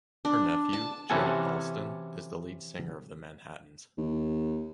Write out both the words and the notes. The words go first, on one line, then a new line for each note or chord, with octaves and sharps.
Her nephew, Gerald Alston is the lead singer of The Manhattans.
D4
A5
C3 E3 C#4 F#4 A4 G#5
D#2